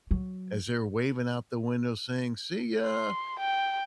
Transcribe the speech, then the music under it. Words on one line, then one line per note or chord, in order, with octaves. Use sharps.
as they were waving out the window saying, "See ya!"
F#3
C6
G5